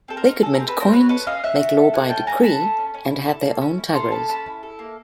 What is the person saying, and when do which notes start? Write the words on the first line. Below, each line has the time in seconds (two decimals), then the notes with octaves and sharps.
They could mint coins, make law by decree, and had their own tughras.
0.08 C4 A4
0.17 A#4
0.25 D#4
0.42 G#4 A4
0.55 C4 A#4
0.68 A4 B4
0.77 C4 A#4 C5
0.92 F#4 B4 C#5
1.09 A4 B4 C#5
1.26 C#4 D#5 F5
1.44 C#4 E5 F#5
1.60 F#4
1.77 A4
1.93 C#4 F#5 G#5
2.10 C#4 G5 A5
2.26 F#4 G#5 A#5
2.43 A4 A5 B5
2.61 C#4
2.78 C#4
2.94 C#4
3.11 E4
3.27 A4
3.45 A#3
3.61 C#4
3.78 E4
3.95 A4 A#5 C6
4.11 A#3 A5 B5
4.29 C#4 A5 B5
4.46 E4
4.63 A4
4.79 A#3